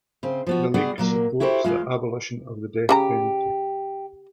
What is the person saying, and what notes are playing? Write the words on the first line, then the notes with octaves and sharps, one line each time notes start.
The League supports the abolition of the death penalty.
C#3 C4
F3 B3 F#4
G3 B3 F#4 G#4 D5 F#5
A#2 F#3 A#3
E4 F#4 G4 A4 C5
E2 C#3 G#3 F4
C#3 F#4 G4 A#5